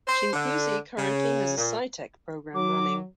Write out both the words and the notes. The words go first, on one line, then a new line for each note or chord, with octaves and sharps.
Chinguacousy currently has a SciTech Program running.
C5
D3
C#3
A#2
F#3 D6